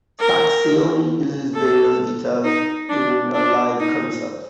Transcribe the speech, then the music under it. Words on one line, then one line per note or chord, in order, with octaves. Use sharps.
Sacksioni uses various guitars during a live concert.
A#4
A4
D#4
D4
D4
D#4